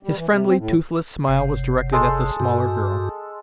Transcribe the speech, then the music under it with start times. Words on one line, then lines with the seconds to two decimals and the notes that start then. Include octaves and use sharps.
His friendly, toothless smile was directed at the smaller girl.
0.03 G3
0.16 E3
0.29 C3
0.46 C4
0.58 A2
1.28 F#1 C3
1.92 G#3 A4 C6
2.40 G2 F#4